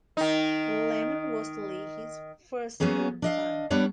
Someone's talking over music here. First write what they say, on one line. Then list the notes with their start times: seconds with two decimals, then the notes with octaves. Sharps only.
Laman was Lehi's first-born son.
0.17 D#3 D#4
2.80 F#3 A#3 B3 C#4 G#4
3.22 D4 D#5 F5
3.70 G3 B3 D4 C#5 F#5